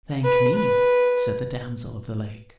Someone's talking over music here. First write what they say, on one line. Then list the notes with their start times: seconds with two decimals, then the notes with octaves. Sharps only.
Thank me, said the Damosel of the Lake.
0.25 B4
0.55 B4